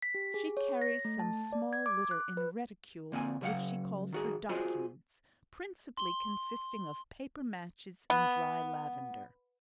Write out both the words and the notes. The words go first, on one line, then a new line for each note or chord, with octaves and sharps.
She carries some small litter in a reticule which she calls her documents, principally consisting of paper matches and dry lavender.
B6
G4
G#4
C#5
A#6
A3
A5
D5
G#6
D6
F#6
B4
D3 A#3 C4 G#5
C#3 F#3 C5 F5 F#5
D#3 F#4 G#4
F4 F#4 G#4 C5 D#5
C6 G7
B3